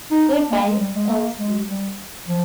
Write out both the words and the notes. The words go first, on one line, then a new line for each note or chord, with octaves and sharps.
Good-by, all of you.
D#4
D4
A#3
G#3
G3
G#3
A#3
G#3
G3
F3